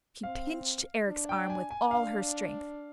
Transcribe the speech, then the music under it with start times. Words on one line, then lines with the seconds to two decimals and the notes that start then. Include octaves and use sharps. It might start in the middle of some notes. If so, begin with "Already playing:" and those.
She pinched Eric's arm with all her strength.
0.23 C4 F5
1.08 D4
1.29 G5
1.50 G#5
1.71 G#5
1.91 D4 F5